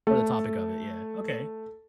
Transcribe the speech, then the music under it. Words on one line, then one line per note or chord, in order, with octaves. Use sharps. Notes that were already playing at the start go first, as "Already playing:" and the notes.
or the topic of it, yeah, okay.
A3 A4